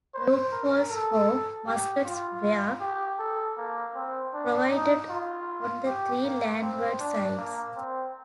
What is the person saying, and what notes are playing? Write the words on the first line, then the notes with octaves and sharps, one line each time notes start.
Loopholes for muskets were provided on the three landward sides.
C5
A#4
A4
G4
F4
G4
A4
A#3
C4
D4
D#4
F4
G4
A#3
C4
D4
A#3
C4